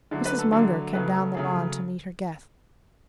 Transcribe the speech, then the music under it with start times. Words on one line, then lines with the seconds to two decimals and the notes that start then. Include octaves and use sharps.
Mrs. Munger came down the lawn to meet her guests.
0.11 D3 F#3 A3
0.25 B4
0.39 A4
0.52 D3 F#3 A3 A4
0.93 C#3 F#3 A3 B4
1.14 A4
1.34 C#3 F#3 A3 G#4
1.45 G#4